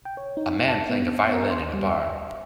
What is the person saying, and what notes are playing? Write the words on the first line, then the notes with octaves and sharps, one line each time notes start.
A man playing a violin in a bar.
G5
C#5
D#4
A5
B3
A#4
C6
G3
E5